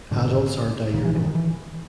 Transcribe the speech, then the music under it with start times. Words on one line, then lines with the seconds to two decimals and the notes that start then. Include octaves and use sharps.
Adults are diurnal.
0.11 A#1 G#2 D3
0.94 A#1 D#3
0.97 A#2
1.04 E3
1.15 E3
1.25 D#3
1.35 E3